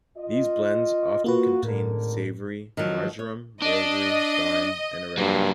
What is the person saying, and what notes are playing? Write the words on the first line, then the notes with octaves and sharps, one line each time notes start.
These blends often contain savory, marjoram, rosemary, thyme, and oregano.
F4 D#5
A#3 F4 F#4 B4
G#1 A2 D3 A#4
D#3 F3 F#3
C#5
D4 D#5
G2 F#3 A#3